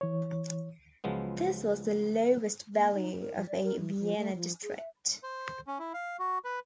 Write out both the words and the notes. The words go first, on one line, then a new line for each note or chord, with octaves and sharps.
This was the lowest value of a Vienna district.
E3 C#5
C#2 F3 F#3 G#3 B3
A#3
D#4
A#4
F3
D5
A#4
E3
F3
A3
F3
G#4
E5
C5
C#4
E4
F5
F#4
B4